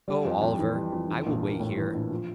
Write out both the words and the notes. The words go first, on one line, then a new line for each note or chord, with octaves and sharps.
"Go, Oliver; I will wait here."
G3
F2
F2
E3
G3
F2
E3
A#1
A#3
A2
E3
A#1
F3